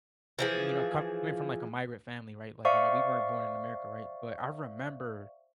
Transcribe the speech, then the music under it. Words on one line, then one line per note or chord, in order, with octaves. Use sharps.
you know, coming from, like, a migrant family, right, like, you know, we weren't born in America, right? But I remember
E3 F3 G#4
C5 D5 E5 F5 C#6